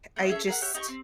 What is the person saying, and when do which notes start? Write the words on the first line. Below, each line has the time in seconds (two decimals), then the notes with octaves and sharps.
I just
0.16 A3 C4 F#4 D#5
0.29 C#4 G#4 A4 E5
0.47 G#4 A#4 F5 F#5
0.62 F#4 G4 C#5 E5
0.74 D#4 G4 A5 C#6
0.88 C4